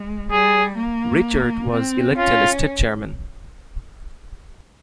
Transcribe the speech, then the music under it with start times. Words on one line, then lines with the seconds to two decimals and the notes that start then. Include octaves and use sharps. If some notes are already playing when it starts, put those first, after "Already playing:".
Richert was elected State Chairman.
Already playing: G#3
0.31 G3 G#4
0.77 A#3
1.72 C4
2.17 C#4 F4